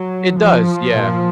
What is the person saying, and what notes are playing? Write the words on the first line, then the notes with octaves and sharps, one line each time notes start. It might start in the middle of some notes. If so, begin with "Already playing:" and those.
It does, yeah.
Already playing: F#3
F3
A#2